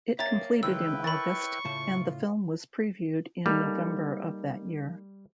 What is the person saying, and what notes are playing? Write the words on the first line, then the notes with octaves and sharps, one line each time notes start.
It completed in August and the film was previewed in November of that year.
A#3 C#5 E5 G5 A#5 A6
C#2 D#3 G#3 E4 B4 G5 E6
A#4 C#5 A5 B5 C#6 A6
A2 C#3 F4 A5
G3 A#3 D#4 A4